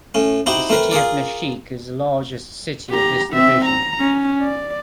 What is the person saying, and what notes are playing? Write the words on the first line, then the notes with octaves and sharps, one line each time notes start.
The city of Nashik is the largest city of this division.
A2 C#4
C4 D#4 E4 F#4 G4 G5
A3 C4 A#4 B4
F4 G#4 A#4 D5
G4 A#5
C4 E5
A#5
C#4
D5